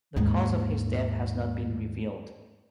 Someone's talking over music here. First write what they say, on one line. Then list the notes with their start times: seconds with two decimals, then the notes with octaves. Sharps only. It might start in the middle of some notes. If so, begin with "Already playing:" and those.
The cause of his death has not been revealed.
0.16 D#2 G#2